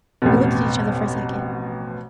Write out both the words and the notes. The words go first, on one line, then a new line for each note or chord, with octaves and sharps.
We looked at each other for a second.
A1 F2 B2